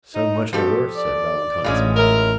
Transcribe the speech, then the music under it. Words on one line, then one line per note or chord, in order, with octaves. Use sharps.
"So much the worse," said Valentine, smiling.
D#4
B2 F3 G4 A4
D5
A1 A#2 G#3 C#4
E4 A#4